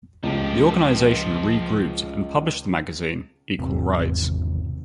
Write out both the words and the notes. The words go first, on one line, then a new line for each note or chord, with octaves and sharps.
The organization regrouped and published the magazine "Equal Rights".
C#2 F3 G4 A5
G#1 E2 C3 C4